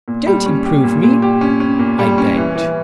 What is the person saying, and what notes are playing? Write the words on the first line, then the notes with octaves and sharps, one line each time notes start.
"Don't improve me," I begged.
A#2
G3
C#4
G4
A#2
A#2
G4
C#4
C#4
A#2
G3
C#4
E3
E3